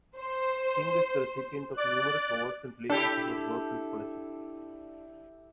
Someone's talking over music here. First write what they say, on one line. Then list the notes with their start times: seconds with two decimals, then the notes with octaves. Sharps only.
Singh is the recipient of numerous awards in relation to her work and scholarship.
0.17 C5
1.78 D5 D6 F#6
2.90 D4 E4 G4 A4